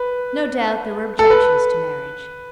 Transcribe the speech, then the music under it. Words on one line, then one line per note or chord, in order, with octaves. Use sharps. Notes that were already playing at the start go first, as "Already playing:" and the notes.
No doubt there were objections to marriage.
Already playing: B4
A4
B4